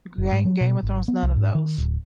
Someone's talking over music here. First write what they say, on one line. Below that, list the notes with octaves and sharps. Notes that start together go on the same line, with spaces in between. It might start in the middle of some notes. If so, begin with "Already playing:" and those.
Gain Game of Thrones, none of those.
F#1
G#2
F#3
B2
G#1
B3
C2
G#2
D#3
D1